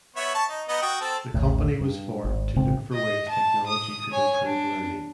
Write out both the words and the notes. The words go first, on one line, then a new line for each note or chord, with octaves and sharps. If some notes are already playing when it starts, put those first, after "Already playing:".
The company was formed to look for ways technology could improve learning.
B3 C#5 E5
A5 C#6
D#4
B3 D#4 D#5
F#4 G5 D#6
C4 A4
A1 D#2 A2
G2
G#1
A1 C#3 C4
D#5
A5
D#6
C#5 G#5
D4